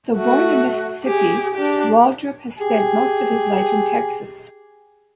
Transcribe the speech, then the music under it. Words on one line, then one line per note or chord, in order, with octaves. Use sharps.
Though born in Mississippi, Waldrop has spent most of his life in Texas.
A3 F#4
G4 G#4
D4 G4
G4 G#4 G#5